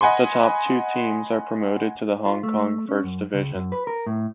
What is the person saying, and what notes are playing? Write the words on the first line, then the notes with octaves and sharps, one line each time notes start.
The top two teams are promoted to the Hong Kong First Division.
D#5 F#5 G#5 B5 C6
F4
A3
C#4
F#2
C#2
F#2
B4
A#4
A2